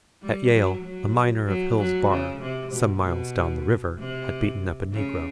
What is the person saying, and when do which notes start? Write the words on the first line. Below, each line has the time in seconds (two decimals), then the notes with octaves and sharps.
At Yale a miner of Hill's Bar, some miles down the river, had beaten up a negro.
0.22 G3
0.53 F#3
0.84 F#3
1.47 F#3
1.79 F#3
2.10 C#3
2.41 C3
2.72 B2
3.04 B2
3.99 C3
4.93 C#3